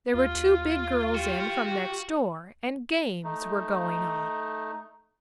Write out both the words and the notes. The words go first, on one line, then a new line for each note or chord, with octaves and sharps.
There were two big girls in from next door and games were going on.
D#2 F4
F#4 G4
A3 D#4